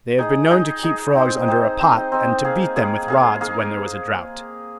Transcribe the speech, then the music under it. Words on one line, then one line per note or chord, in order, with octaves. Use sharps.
They have been known to keep frogs under a pot and to beat them with rods when there was a drought.
D#4 G#4 D#5
D#4 G#4 D#5
D#4 G#4 D#5
C4 D#4 C5 D#5
C4 D#4 C5 D#5
C4 D#4 C5 D#5
C4 D#4 C5 D#5
A#3 G#4 F5
A#3 G#4 F5
A#3 G#4 F5
A#3 G#4 F5